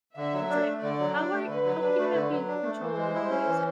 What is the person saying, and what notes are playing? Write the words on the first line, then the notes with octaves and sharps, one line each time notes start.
It's like, how are how can you not be in control of your own music?
D3 E5
F#3
D4
A3
D3 D5
F#3
D4
A3
D3 B4
F#3
D4
A3
D3
F#3
D4
A3
E3 C5
G#3
E4
C#4
E3